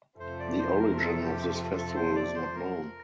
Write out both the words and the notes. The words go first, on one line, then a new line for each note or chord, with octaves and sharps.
The origin of this festival is not known.
F2 C3 F3 A3 C4 C5
D5
C5
A#4
A4
G4
A4
C5
D5
C5
A#4